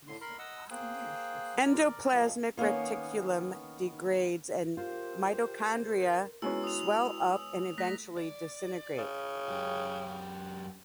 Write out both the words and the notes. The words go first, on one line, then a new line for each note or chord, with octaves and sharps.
Endoplasmic reticulum degrades and mitochondria swell up and eventually disintegrate.
A2 D3 C6
A#4 B5 C6
D#5 F#5 E6
A#3 G#4 C5 G5 F#6
A#4 D5
G2 A#2 F3 G#3 A#3
D#3 A#3 B3 C#4
F4 G4 A#4 C5
G#3 B3 C#4 E4 F#4 E6
D#6 F7
A3 A#6 B6
D5
C#3
F#2 G4